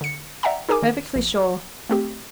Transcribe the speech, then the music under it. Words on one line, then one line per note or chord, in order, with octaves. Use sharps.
"Perfectly sure."
D3 C#7
D5 E5 F#5 G5 A#5
D#4 G#4 A#4 G#5 D6
D#3
A#1
A3 C4 G4